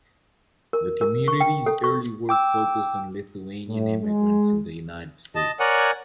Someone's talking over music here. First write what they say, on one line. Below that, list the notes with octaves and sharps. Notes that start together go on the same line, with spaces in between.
The community's early work focused on Lithuanian immigrants in the United States.
A#4
A#4
C#6
G5
A4
C#6
G5 D6 E6
A2
G#3
D#5 A5
A#4 C#5 D5 F#5 G#5